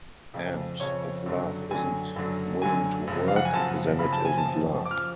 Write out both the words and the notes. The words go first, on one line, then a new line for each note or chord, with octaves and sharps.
And if love isn't willing to work, then it isn't love.
F2 C#3 F3
F2 C#3 F3 C#5
F#2 D3 F#3
F#2 D3 F#3 G#5
F#2 D3 F#3
F#2 D3 F#3 G#5
F#2 C#3 F3
F5
F#5
G#5
F#2 C#3 F3 A5
F#2 C#3 F3 B5
A5
G#5
A5
F#2 C#3 F3
D6
F3 F6